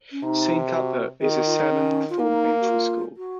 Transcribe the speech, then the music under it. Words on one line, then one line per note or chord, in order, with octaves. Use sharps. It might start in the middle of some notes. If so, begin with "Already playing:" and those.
Saint Cuthbert's is a seven form entry school.
C#4
C3 D#4
F#4
D#3 G#4
F4
F#4
F4
D#4
C#4
F4
A#3 D#4
F#4
F4
F#4